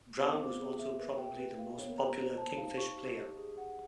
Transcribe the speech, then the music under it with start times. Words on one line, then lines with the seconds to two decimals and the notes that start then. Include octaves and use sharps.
Brown was also probably the most popular Kingfish player.
0.19 B3 F5
0.33 C4
0.40 D6
0.46 B3
0.59 G#4
0.79 E5
0.99 A#3 B4
1.18 G5
1.39 B4
1.59 F5
1.78 B3 C#5
1.89 A#3
1.98 B3 A#5
2.19 C5
2.37 A5
2.57 D#4 F5
2.77 C#6
2.97 G4
3.17 D#5
3.37 G#4
3.57 F#5